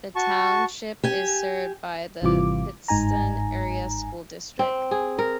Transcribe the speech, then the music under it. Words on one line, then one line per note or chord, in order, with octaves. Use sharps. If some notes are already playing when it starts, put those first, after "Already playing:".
The township is served by the Pittston Area School District.
F#4 A5 C#6
G4 G#5
G#1 C3 E3 G3 F4 D6
G1 G#2 D#4 G#5 A#5
C4
G#4
A#4